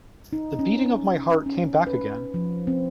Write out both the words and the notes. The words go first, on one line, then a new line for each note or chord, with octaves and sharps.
The beating of my heart came back again.
D#4
C#4
C#4
B4
F3
C4